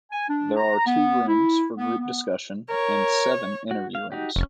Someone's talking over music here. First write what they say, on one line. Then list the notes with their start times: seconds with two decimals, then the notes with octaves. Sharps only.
There are two rooms for group discussion, and seven interview rooms.
0.11 G#5
0.29 D4
0.57 A#5
0.87 B3
1.28 E4
1.78 B3
2.00 B3
2.70 A#4 C#5
3.71 F#4
3.95 F5
4.12 D#4 F#4 G4
4.36 F1 C#4